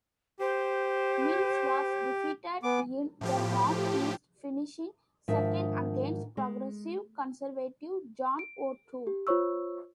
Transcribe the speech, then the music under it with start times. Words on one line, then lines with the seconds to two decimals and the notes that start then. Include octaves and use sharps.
Mills was defeated in Durham East, finishing second against Progressive Conservative John O'Toole.
0.40 G4 C5
2.63 B3 G#5 D6
3.21 A2 F3 G4
5.28 G#2 D#3 F3 D4 A#4 E5
6.37 G#3
8.39 D7
9.07 G4
9.27 F4 C5 C#5 C#6 E6